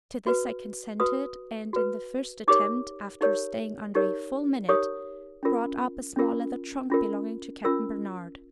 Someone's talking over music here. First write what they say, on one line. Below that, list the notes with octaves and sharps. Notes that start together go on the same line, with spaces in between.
To this I consented, and, in the first attempt, after staying under a full minute, brought up a small leather trunk belonging to Captain Barnard.
F#4 B4
F#4 B4 D#6
F#4 B4
D#4 G4 A#4 C#5 D6
D#4 G4 A#4 C#5
D#4 G4 A#4 C#5
D#4 G4 A#4 C#5 D#6
C#4 F4 A#4
C#4 F4 A#4
C#4 F4 A#4
C#4 F4 A#4 E6